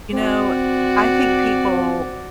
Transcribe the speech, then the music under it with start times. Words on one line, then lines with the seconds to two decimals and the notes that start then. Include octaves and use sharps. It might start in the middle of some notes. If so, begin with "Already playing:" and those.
you know, I think people
0.12 C4 F#4 D5